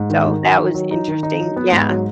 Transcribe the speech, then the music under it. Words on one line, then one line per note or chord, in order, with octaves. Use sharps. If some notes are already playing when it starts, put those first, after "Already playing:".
So that was interesting, yeah.
Already playing: G#2
D#3
D#3
F#3
D#3
F#3
D#4
D#3
D#4
F#3
B3
G#2
F#3